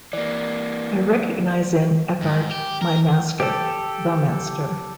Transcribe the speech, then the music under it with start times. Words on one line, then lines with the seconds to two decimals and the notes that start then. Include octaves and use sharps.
I recognize in Eckhart my master, the master.
0.13 E3 A#3 D5
2.23 G#2
2.51 G4
2.82 A#4
3.40 G4 A4